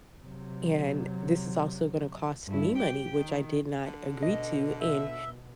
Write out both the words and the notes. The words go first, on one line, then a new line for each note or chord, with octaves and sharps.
and this is also gonna cost me money, which I did not agree to, and
C3 F#3
G2 E4
G4 G5
D#3
D3
B2 D#5
E5